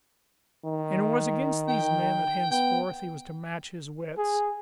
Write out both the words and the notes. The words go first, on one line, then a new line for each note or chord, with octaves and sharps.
And it was against these men that henceforth he was to match his wits!
D#3
G5
B3 G5
G#4